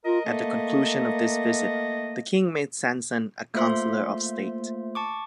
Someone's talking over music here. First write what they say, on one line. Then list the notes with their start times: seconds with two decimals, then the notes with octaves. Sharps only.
At the conclusion of this visit the king made Sanson a councillor of state.
0.05 F4 A#4 D#5
0.25 A3 A#3
3.54 A3 A#3 F4 C5 E5 C6
4.95 A5 C#6 D6